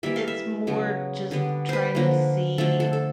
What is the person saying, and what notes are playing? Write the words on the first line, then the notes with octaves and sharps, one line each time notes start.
it's more just trying to see
E3 G3 A#3 E5
F5
E5
C#3 F#3 B3
D3 G3 B3
B4 C5
D3 F3 A#3
D3 F3 A3 A4
A4
A4